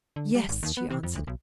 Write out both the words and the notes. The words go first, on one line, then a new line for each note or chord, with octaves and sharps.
"Yes," she answered.
D3
G3
G#1
D#2
B3
C3
F2
D2
B1